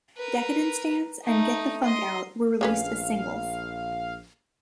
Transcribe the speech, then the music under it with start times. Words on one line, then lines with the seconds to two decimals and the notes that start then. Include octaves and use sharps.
"Decadence Dance" and "Get the Funk Out" were released as singles.
0.17 A#4 B4
1.24 A3 D#4
1.84 D#5 C6
2.61 A#1 C#3 C#4 B4 F5